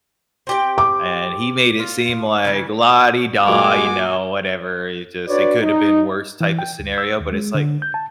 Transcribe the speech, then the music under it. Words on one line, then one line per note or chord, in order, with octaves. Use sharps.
and he made it seem like, "la-di-da, you know, whatever, it just it coulda been worse," type of scenario, but it's like,
C4 G4 G5
D6
F4
C#3 E3
A#2 F#3 G#3 A#3 F#4 G#5 D6
D4 F#4 B4 C#5 D5
D#4
E3
G5
D2
E6
D#2
G#3
D3
G6
A5